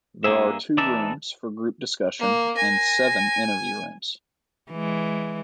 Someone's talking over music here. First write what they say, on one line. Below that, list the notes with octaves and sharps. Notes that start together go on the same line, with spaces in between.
There are two rooms for group discussion, and seven interview rooms.
G2 D#3 A#3 G#4 E5
E2 E3 D4 D#4 E5 A5
A#3
G#5 A#6
E3 G#3